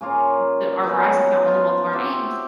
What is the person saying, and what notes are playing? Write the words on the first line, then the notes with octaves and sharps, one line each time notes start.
like, th our Verizon account was in both of our names
C#3 A#3 F4 A#4
F#3 B3 C#4 D#4
D#4 F4
C4 F#4 G4 E5